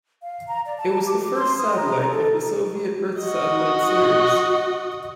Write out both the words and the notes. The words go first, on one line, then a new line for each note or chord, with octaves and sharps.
It was the first satellite of the Soviet Earth Satellite series.
F5
A#5
D5
A5
D6
C6
D#6
A#5
A4
F#4 D#5